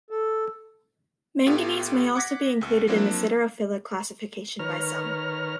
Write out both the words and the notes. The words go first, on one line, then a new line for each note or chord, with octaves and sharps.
Manganese may also be included in the siderophilic classification by some.
A4
A2 A3 B3 F4 G4
F#5 D6 G#6 A#6 B6
C#2
F3 F#3 A#3 C4 D4 E4
D#3 B4 C#5 A#5 F6